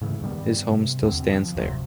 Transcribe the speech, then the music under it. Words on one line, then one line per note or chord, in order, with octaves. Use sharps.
His home still stands there.
G#2 C#3 E3 A3
G2 D#3 G3 B3
C3
E2 B2 D3 C4
F3
D1 F#2 C3 F#3